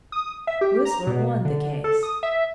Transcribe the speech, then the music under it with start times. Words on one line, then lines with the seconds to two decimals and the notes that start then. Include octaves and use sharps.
Whistler won the case.
0.12 D#6
0.47 E5
0.61 G4
0.85 A#5
1.07 B2
1.45 D3
1.84 A4
2.03 D#6
2.23 E5